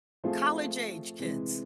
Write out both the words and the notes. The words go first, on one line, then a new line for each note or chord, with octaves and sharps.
college-age kids.
F3 A3 C4 F4 G#4
C3 E3 G#3